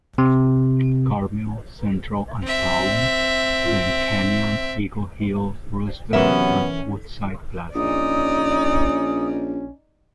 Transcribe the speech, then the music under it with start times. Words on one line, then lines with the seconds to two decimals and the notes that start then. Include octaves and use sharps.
Carmel, Central and Palm then Canyon, Eagle Hill, Roosevelt, and Woodside Plaza.
0.18 C3
2.43 C4 E5
6.13 C3 E3 F#3 B3 C#4 A#4 E5
7.75 A#1 C#4 D#4 D5 D#6